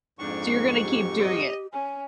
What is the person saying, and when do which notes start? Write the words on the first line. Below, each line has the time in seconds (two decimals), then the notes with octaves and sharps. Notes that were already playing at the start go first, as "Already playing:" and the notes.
So, you're gonna keep doing it.
0.19 F2 G#2 A#3 D4 C#6
0.82 G4
1.19 D#5
1.73 C#4 G#5